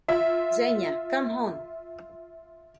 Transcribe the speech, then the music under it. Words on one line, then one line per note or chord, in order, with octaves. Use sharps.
Zhenya, come on!
F4 E5